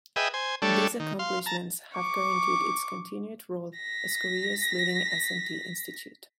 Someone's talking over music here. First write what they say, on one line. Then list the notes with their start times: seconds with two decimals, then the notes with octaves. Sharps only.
These accomplishments have guaranteed its continued role as Korea's leading S and T institute.
0.16 G#4 B4 D#5 E5 G5
0.34 C5 G#5
0.62 G3 A3 D4 A4 C#5
1.00 D#3
1.19 F5 C6
1.46 A5 A#5
1.94 C#6 D6
3.77 A#6 B6